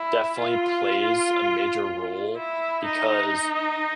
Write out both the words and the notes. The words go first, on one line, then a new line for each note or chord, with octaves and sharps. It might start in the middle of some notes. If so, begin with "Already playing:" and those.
definitely plays a major role because
Already playing: E4
F4
E4
D#4